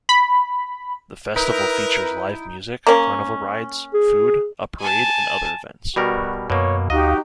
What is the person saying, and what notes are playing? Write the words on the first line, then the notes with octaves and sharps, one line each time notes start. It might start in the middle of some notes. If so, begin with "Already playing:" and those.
The festival features live music, carnival rides, food, a parade, and other events.
B5
D#4 E4 A#4 B4
A#3 C#4
G#4
G#5 A5
B2 G3 F#4 A#4
F#2 B2 A#3 C#5
D2 D#4 F#4 G4 D#5 F5 A#5